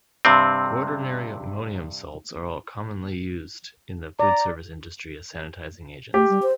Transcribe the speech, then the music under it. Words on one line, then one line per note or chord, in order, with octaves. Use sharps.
Quaternary ammonium salts are commonly used in the foodservice industry as sanitizing agents.
G2 C3 C4
D5 A#5
A3 G4
G3
C5